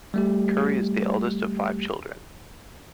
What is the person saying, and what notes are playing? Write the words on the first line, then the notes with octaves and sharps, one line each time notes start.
Curry is the eldest of five children.
G3 A3 G4